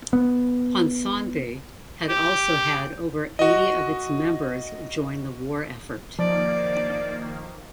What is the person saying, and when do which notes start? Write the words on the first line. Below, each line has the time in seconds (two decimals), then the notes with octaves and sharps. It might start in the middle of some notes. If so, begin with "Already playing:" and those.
Ponsonby had also had over eighty of its members join the war effort.
0.13 B3
2.09 G4
3.39 F#4 D#5
6.19 D#3 F3 A#3 D5